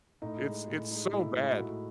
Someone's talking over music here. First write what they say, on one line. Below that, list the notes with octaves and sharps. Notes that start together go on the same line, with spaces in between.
It's it's so bad.
A2 D#4
G#3
A2
G#3 D#4
A2 E4
G#3 D#4
F#4
A2 E4